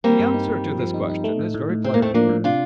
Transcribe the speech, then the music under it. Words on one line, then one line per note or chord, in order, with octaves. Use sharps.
The answer to this question is very plain.
G3 A#3 C4
G2
D#4
G2
F3
F3
D#4
D#4
A3
A2
A2
A2
A2 C4
A#3
A2 A3 C4
F3 A#3 D4
A2
C3 D4 F4